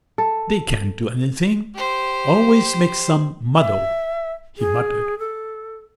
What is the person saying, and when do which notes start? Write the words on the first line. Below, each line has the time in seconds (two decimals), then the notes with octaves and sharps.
"They can't do anything... always make some muddle," he muttered.
0.18 A4
1.75 G4 C5
3.56 E5
4.58 G#4
5.19 A4